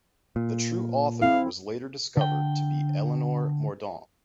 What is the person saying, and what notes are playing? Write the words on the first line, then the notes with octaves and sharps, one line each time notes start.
The true author was later discovered to be Elinor Mordaunt.
A#2
C4 E4 F5
D3 G5